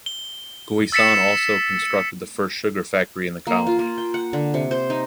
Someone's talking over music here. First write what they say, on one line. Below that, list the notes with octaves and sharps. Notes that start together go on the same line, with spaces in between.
Guisan also constructed the first sugar factory in the colony.
G7
E6 A6 B6 C#7 E7
A#3
F4
A#3
G5
F#5
D3
C3
C5
D#4